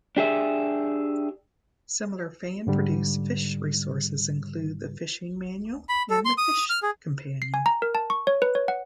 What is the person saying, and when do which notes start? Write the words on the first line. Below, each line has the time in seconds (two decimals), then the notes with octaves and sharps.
Similar fan-produced Phish resources include "The Phishing Manual" and "The Phish Companion".
0.17 D4 G4 G#4 E5
2.67 G#2 D3 G3
5.89 B5
6.10 A4
6.25 C6
6.38 D#6
6.70 F6
6.83 G#4
7.42 C7
7.54 G#5
7.66 A#5
7.82 A#4
7.95 A5
8.10 C#6
8.27 C#5
8.42 B4
8.55 C#5
8.68 F#5